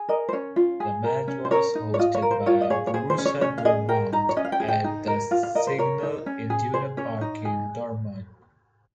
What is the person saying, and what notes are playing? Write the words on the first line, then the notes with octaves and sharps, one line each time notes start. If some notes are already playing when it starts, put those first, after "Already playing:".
The match was hosted by Borussia Dortmund at the Signal Iduna Park in Dortmund.
Already playing: G#4
A#4 D#5
C5
C#4 C#5
F4
G#4
A#4
C#4
C5
A#4 C#5
D#4
C#5
F4 D#5
C#5
A#4
C5
F4 C#5
D#5
G#4 C#5
C#5
G#4 C5
C5
C#4
C#5
C#4 C#5
F5
G#4 D#5
A#4 G5
D#4 A#5
C#5
C#4 D#5
F5
G5
G#4
G5
D#4
A#4
F4 F5
F5
A#4 D#5
C5
A#4 C#5
D#4
C#4
G#4
G#4 C5
C#4 C#5
D#4
G#4